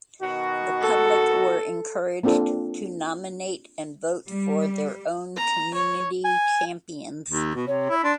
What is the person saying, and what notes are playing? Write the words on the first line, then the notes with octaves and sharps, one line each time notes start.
The public were encouraged to nominate and vote for their own community champions.
B2 D#3 F#4
A4
A#3 C4 D4 F4 A4
G3
A#5
C#5
G#5
D#2
B2
C3 C#5
E4
D4 C6